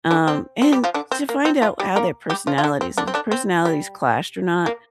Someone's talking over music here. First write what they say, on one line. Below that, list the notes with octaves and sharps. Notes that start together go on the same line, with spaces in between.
Um, and to find out how their personalities if personalities clashed or not,
D3 D4
C4
C4
G3 G4
F3 F4
D3 D4
C4
A#3
C4
F3 F4
G3 G4
A#3 A#4
G3 G4
F3 F4
F4
D3 D4
C4
D3 D4
C4
D3 D4
C4
G3
A#3